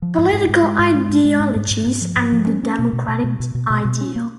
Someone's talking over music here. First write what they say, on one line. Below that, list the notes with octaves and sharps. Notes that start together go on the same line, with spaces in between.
Political Ideologies and the Democratic Ideal.
F3
G#2
G#2
G#2
G#3
G#2
G#3
G#2
G#3
G#2
G#2
G#2
G#2
F3
G#2
F3
C#4
C#4
B2
B2
B2
B2
B2
B2
B2
B2
C#4
A#3